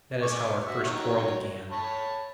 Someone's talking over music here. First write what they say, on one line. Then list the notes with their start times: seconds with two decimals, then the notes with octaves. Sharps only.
That is how our first quarrel began.
0.22 G#5 C#6 D6
0.67 F#4 E5
0.83 D#3 F#3 C#5
1.71 C#5 A5 B5